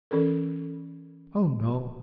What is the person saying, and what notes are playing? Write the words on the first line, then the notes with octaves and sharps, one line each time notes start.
"Oh no."
E3 C#4 A4 A#4